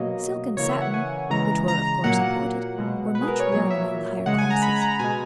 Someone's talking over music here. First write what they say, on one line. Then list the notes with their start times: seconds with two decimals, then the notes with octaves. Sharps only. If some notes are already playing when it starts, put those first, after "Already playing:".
Silk and satin, which were of course imported, were much worn among the higher classes.
Already playing: B2 F#3 A#3 D#5
0.57 C#3 E3 A#3 C#5
0.69 E5
0.81 F#5
0.94 G#5
1.30 C#3 E3 G#3 A#5
1.68 A#5
2.04 A#2 F#3 A#3 F#5
2.78 B2 G#3
3.15 B4
3.22 G#4
3.27 A#4
3.40 C#5
3.52 A#2 F#3 A#3 C#5
3.70 E5
4.26 C#3 G#3 F#5
4.38 G#5
4.50 A#5
4.62 B5
4.82 A#5
4.99 B2 G#3 G#5